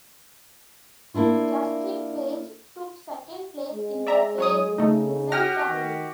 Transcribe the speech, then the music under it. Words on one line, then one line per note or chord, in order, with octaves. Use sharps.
Justin Page took second place in the page design category.
A#3 D4 E4 F4
G#3
D5 E5 A#5
F#3 C#5 D#6
C#3 A3 D#4
F#4 G4 F6 A#6
D#3